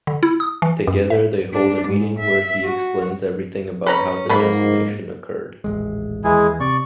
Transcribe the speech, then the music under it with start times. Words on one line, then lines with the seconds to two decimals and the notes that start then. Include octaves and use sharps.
Together they hold a meeting where he explains everything about how the Decimation occurred.
0.07 D3
0.23 E4
0.40 D#6
0.62 E3
0.87 F#2
1.10 E5
1.53 D4
1.88 G#2
2.19 E5
2.65 F#4
3.86 C#4 B4 A#5 B5
4.29 G#2 B2 A#3 B5
5.64 D#1 A1 G#3
6.24 D#2 E3 G#3 E4 G#4
6.60 C3 C4 D5 C#6